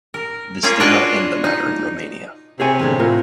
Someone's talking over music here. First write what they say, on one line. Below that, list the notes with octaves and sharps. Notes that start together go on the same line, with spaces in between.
This did not end the matter in Romania.
A#4
A#3 C#4 F4 G#4
D4 F4 F#4 B4 C#5 D#5
D#4
C3 G#4 C#5 G#5
E2 A2 D3
A2 F4 A#4